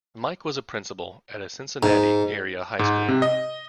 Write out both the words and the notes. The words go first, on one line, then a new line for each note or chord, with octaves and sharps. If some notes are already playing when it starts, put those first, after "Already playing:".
Mike was a principal at a Cincinnati-area high school.
G#2
G#2
C3
D#5